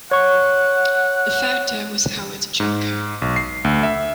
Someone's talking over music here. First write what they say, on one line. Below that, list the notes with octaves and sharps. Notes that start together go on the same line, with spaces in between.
The founder was Howard Junker.
C#5 F#5 C#6
G#2
B1
C7
D2
E5